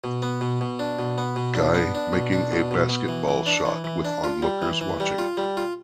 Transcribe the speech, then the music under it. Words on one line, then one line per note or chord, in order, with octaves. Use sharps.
Guy making a basketball shot with onlookers watching.
B2
B3
B2
B2
D4
B2
B3
B2
D4
B3
D4
B2
D4
B2
B2
B2
E3
E3
D4
E3
E3
D4
F4
G3
E3
E3
G3
F4
G3
F4